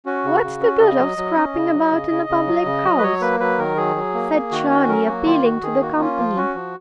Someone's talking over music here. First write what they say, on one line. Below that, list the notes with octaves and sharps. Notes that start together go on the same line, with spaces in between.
"What's the good of scrapping about in a public-house?" said Charlie, appealing to the company.
C#4 F#4
C#3
C#3
C#4
C#3 D#5
F#3
F#3
C#4
C#3
F#3
C#3
C#3
C#3
F#3
C#3
F#3
B4
F#3 C#5
A#3 B4
F#3 B4
D#3 A#4
F#3 G#4
F#3
A#3
A#3
D#3 F#4
C#4 F#4
F#3 A#4
A#3 F#4
D#3 F4
D#3 F#4
D#3 G#4
A#3 F#4
C#4 F4
F3
C#4 F#4
F3